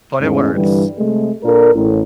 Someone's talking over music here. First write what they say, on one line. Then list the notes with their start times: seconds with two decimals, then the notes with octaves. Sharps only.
but it works.
0.21 E2 G#2 A3 C#4 G#4
0.54 G2 D3 E3 G3
0.98 C3 G#3 A3
1.44 A#2 D4 A4 A#4
1.75 A1